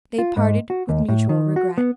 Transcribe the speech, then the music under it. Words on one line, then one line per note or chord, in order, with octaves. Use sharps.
They parted with mutual regret.
F4
G#2
F#4
D#2
A2
D#3
F#4
B3